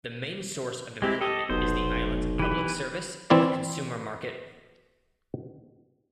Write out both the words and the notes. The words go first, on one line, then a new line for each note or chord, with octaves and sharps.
The main source of employment is the island's public service and the consumer market.
G#3 C4 E4 G4
G4 A4 D#5
F1 B1 B3 C5
E3 G4 B4
E3 C4 E4 D5